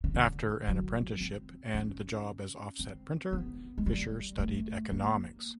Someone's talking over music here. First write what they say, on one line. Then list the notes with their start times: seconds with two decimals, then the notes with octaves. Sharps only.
After an apprenticeship and the job as offset printer Fischer studied economics.
0.04 C#3
0.15 D3
0.68 F#3
1.21 C4
1.74 C#4
2.79 C4
3.33 B3
3.78 G#3
3.86 G3
4.39 A3
4.92 A#3